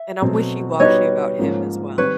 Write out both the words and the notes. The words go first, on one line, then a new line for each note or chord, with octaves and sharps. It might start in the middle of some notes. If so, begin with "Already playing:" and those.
and I'm wishy-washy about him as well.
Already playing: E5
B2 F#3 A3 C4
G3 B3 D#4 F#4 B4 C#5 D#5
G#2 F3 A#3 C#4 F4
D#3 G3 C4 B4 C#5